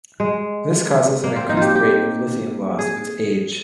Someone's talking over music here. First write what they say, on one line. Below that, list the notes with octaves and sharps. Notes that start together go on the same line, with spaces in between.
This causes an increased rate of lithium loss with age.
G#3
A#3
C4
D#4
F4 G4
G4
G#4